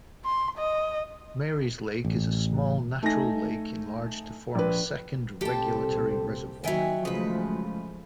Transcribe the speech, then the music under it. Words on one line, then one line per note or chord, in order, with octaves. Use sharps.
Marys Lake is a small natural lake enlarged to form a second regulatory reservoir.
C6
D#5
A1
A3 D#4 G#5 A#6
A#1 B4
C2 A#2 C4 G4 A4 G5 A5
D#2 D#3 F#3 E5 G5 G#5
C#3 F3 G#3 A3 B4